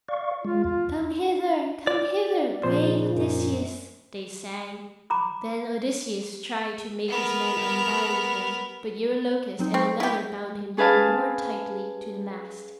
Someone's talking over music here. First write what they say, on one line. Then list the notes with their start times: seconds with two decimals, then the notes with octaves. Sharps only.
"Come hither, come hither, brave Odysseus," they sang. Then Odysseus tried to make his men unbind him, but Eurylochus and another bound him yet more tightly to the mast.
0.08 D5 F5 C#6
0.45 G#3 F4
0.64 E2 F4
1.87 D5
2.63 A#1 C#3 F4 C5
3.13 F#2
5.10 A#5 B5 D6
7.08 B3 A#4
9.59 F#3 C4 D#4
9.74 C4 C#6
10.00 E4 G4
10.77 C#4 G#4 B4 F5 A5